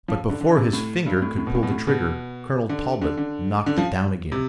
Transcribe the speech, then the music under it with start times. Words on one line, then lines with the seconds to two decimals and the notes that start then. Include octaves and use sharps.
But before his finger could pull the trigger Colonel Talbot knocked it down again.
0.08 F3
0.29 D3
0.41 D3
0.57 C3
0.73 A2
1.06 G2
1.22 A2
1.38 A2
1.47 B2
1.55 A2
1.63 B2
1.71 A2
1.87 B2
2.69 D3
3.01 D3
3.17 D3
3.66 D3
3.78 F3
4.32 C3